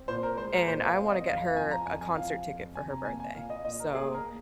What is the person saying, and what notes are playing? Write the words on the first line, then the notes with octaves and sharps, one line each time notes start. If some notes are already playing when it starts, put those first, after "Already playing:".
and I want to get her a concert ticket for her birthday. So,
Already playing: C4
A#2 C5
A#4
G#3 C5
A#4
A#2 C5
F5
C4
D#5
F2 F5
F5
F3 G#5
A#5
F2 G#5
G#5
F3 F5
F2
C3 G#5
A#5
A#3 G#5
G#5
A#2 F5
D#5
A#2 D#5
A#4
A#3 G#4
A#4
A#3